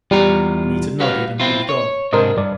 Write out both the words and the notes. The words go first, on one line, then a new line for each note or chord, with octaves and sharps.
Anita nodded and moved on.
E2 G3 F4 A#5
F#4 B4 F5
C4 E4 F4
C#5
G#2 C3 D4 A#4 C5 D#5
G2 D5